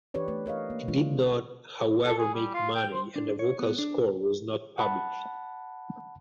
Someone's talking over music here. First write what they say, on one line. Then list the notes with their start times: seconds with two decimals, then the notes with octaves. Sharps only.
It did not however make money and the vocal score was not published.
0.14 E3 D4 G4 B4 C#5 D5
0.28 A3 B4
0.46 A#4 C#5 D#5 F5
0.70 A#3
0.88 E3 G#3 D4 F4
2.06 A4
2.18 G#4
2.35 G3
2.54 F4
2.75 G5
2.92 C5
3.16 D4
3.39 C#5
3.59 B3
3.78 D4
4.78 F#5 A5 B5